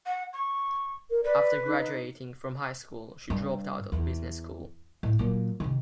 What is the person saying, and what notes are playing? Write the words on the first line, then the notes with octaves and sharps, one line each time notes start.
After graduating from high school, she dropped out of business school.
F#5
C#6
A#4
B4 D5
D#4
G2
E2
A2
A#2 F#3
C3 D#3